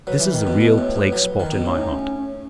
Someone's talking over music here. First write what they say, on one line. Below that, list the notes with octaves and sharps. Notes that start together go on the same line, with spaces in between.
This is the real plague-spot in my heart.
F#3 B4
E3
D#3
B2
B2
A2
A2
F#3
D#3
B2
A2 C#4
D#4
C#4
C#4